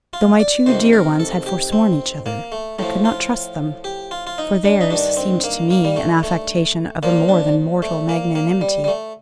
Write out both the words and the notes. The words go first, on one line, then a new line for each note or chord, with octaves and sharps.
Though my two dear ones had forsworn each other, I could not trust them, for theirs seemed to me an affectation of a more than mortal magnanimity.
F4
D5
F2 C3 D#3 C5
A#4
A4
G4
C4
A#3
A3
A2 F3 A3
F4
G4
F4
F4
D#4
D4
D#4
G2 D#3 D4
C4
A#3
A#3
G3
A3
A3
A#2 F3 A#3
D4
A3
A#3
A#3
G3
G3
A3